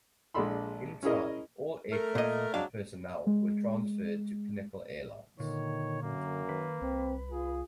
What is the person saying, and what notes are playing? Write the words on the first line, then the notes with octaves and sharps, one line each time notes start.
In time, all aircraft and personnel were transferred to Pinnacle Airlines.
A#1 G#3 D4 A4 B5 C6
C#4 E4 G#4 A#4 D#5
A3 A#4
A#2 D#5
F#3 G#3 D4 F5
G#3
A#2 D3 D#3 C#5
F#2 A#3
D#3 B4
C2 C4
F4 G#4